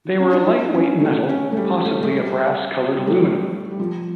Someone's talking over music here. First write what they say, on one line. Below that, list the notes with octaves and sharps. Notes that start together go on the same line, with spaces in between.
They were a light weight metal, possibly a brass coloured aluminum.
C#4
D4
E4
C#4
A3
C#4
A3
G3
A3
A3
G3
G3
A3
G3
G3
F3